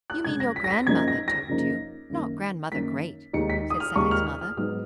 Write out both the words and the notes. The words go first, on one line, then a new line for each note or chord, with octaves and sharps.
"You mean your grandmother told you; not Grandmother Great," said Sallie's mother.
F#6
F#2 C#3 G#3 G#6
A#6
B6
A#6
B6
F#2 C#3 F3 A#3 D#4 G#6
A#6
A#6
F#2 C#3 F3 A#3 D#4
F#2 D#3 A#3
F#2 D#3 A#3 B6
D#2 D#3 G#3 D#4 C#7
B6
D#6
F6
D#2 D#3 G#3 D#4 C#6
F6
F6
F6
G#2 F#3 B3 D#4 F6